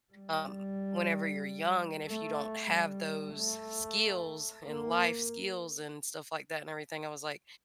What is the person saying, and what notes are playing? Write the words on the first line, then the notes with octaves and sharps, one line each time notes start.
um, whenever you're young, and if you don't have those skills, and life skills, and stuff like that, and everything. I was like,
G3
A3
G3
A3
A#3